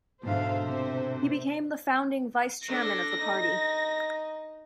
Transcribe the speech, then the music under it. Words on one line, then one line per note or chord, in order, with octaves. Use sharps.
He became the founding vice-chairman of the party.
G#2 B2 D3 C5 E5 F5
C3
D4 A4 A#6
D#4